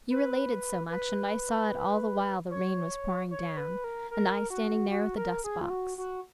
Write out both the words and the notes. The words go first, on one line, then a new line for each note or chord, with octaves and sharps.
You related so much, and I saw it all the while the rain was pouring down, and I standing there with the dust-box.
B4
B4
C#5
C#5
B4
A#4
A#4
F#4
F#4
A#4
G#4
F4
F#4
F#4